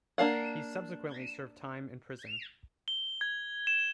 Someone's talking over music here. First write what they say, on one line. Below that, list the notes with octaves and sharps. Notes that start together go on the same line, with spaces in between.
He subsequently served time in prison.
A#3 D4 F5 F#5
G7
G#6
E7